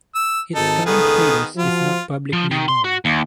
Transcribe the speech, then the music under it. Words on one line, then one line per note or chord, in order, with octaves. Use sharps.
Its current status is not publicly known.
E6
G#1 D#4 A4
C#2 D#3 B3 G#4 A4
F3 F4 F#4
F3
D#3
C6
F#4
D#2